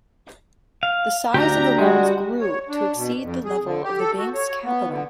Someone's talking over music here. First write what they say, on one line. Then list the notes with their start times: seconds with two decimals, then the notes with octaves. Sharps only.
The size of the loans grew to exceed the level of the bank's capital.
0.83 F5
1.34 D2 D4 G4 A#5
1.78 G3 G#3 F#4
2.40 C#5
2.69 D4
2.95 B2
3.22 F2
3.45 G#4
3.64 D3
3.84 G4
3.99 A4
4.18 F#4
4.34 C#5
4.65 B3
4.90 D3